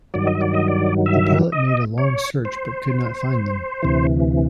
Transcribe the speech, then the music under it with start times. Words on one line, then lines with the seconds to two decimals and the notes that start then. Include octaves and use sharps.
The pilot made a long search but could not find them.
0.14 G2 D#3 F#3 D5
0.27 D#5
0.41 D5
0.54 D#5
0.68 D5
1.06 E5
1.52 D#5
1.98 C#5
2.45 C5
3.82 D2 C3 E3